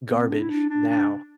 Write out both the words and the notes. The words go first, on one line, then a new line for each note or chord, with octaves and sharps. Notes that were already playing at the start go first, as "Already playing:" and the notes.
Garbage now."
B3
C4
D4
E4
D4
D4
D4